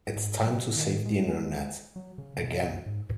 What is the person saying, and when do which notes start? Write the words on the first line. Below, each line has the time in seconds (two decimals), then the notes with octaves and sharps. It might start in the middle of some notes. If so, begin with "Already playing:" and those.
It’s time to save the internet — again.
0.16 G#2
0.47 F#3
0.75 D#3
1.06 G#3
1.96 F#3
2.18 C#3
2.42 B2
2.63 F#2
2.86 G#2